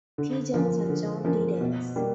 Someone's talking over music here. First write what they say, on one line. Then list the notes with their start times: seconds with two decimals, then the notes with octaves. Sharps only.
T. Jones and John D. Davis.
0.18 D3
0.54 F3 A#3 C#4
0.89 D3
1.25 F3 A#3 C#4
1.61 B2
1.96 G3 A#3